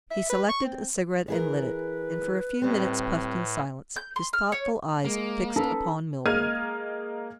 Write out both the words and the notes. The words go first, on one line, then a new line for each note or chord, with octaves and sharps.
He selected a cigarette and lit it, and for a few minutes puffed in silence, his thoughtful eyes fixed upon Milburgh.
E5
B4
C#6
C4
E3 G#4 A#4 B4
A2 G3 C4
G6
C6
F6
C#5
G#3 A#3
C#4 D#4 A4 B4 A5
G#3 A#3 D#5 F6 G#6 D#7